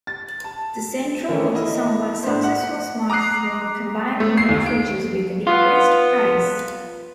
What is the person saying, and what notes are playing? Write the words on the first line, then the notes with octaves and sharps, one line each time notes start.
The Centro was a somewhat successful smartphone, combining many features with a decreased price.
A6
A5
D#3 E3 A3 C#4
A#3 E4 D#5
A2 D4 C5
F#5
A#5 D6 D#6 F#6 C7
A3
C7
D#2
D7
B3 F4